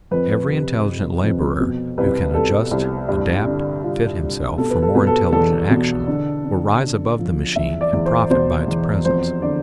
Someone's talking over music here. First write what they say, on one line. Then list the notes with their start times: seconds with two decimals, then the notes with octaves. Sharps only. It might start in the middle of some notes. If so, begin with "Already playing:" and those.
Every intelligent laborer who can adjust, adapt, fit himself for more intelligent action will rise above the machine and profit by its presence.
0.11 F2 B4
0.49 C3
0.85 C3
1.23 F2
1.60 B2
1.98 C2 B4
2.34 C2 A4
2.71 C2
3.08 G2
3.47 D3
3.84 G2 F4
4.20 G2
4.58 B2 A4
4.70 B4
4.82 A4
4.95 B2 B4
5.07 A4
5.32 E2 A4
5.70 B2
6.07 D3
6.45 D3
6.81 D3
7.19 F3
7.56 E2 E5
7.81 D5
7.93 E2
8.06 C5
8.30 B2 C5
8.67 E2
9.05 F2 C5
9.42 D3 D5